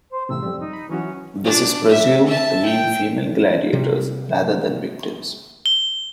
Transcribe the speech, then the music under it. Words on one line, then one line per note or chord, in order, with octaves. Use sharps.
This is presumed to mean female gladiators, rather than victims.
C5
E2 A2 C3 E6
F2 G3
D#4
B5
E3 F#3 C#4 F#4
D4
E5
E5 A5
G5
C3 G3
G7